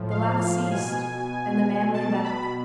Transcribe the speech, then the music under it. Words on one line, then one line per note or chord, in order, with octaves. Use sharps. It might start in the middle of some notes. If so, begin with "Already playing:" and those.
The laughed ceased, and the man lay back.
Already playing: A2 F3
F5
F5
B2 G#5
B2 A5
B5